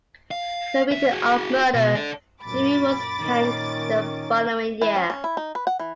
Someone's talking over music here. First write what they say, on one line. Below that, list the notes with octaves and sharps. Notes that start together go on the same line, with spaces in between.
Convicted of murder, Jimmy was hanged the following year.
F5
D2 E5
F#4 G#4
B2
A4 D5
F#2 A#2 B5 D6 A6
A#2 D#3 C#4
E3
C#4
C#4
E4
D#4
B4
F#5
E3